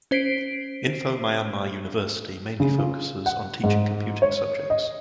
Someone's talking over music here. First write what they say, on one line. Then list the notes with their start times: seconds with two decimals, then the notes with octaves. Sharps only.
Info Myanmar University mainly focuses on teaching computing subjects.
0.11 C#4 C5 B6 C7 D7
2.60 C#3
2.78 F4
3.26 F#5
3.63 G#2
4.22 C#5
4.70 D#5